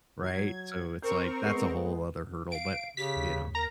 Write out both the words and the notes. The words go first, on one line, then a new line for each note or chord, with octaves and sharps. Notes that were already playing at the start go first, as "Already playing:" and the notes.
right, so, it's like that's a whole other hurdle, but you know?
F#3 G#6 C7
C4 A#4 C#6 G6
G#3 B3 C7
F5 D7
C#3 G4 B6
D#2
A#4 A#5